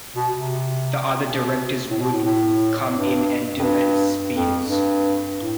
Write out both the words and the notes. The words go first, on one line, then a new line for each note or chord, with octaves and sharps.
The other directors would come in and "do a Spiers".
B2
C3
B2
A2
B2
A2
A2
G2
F2
G2
F2
G2
A2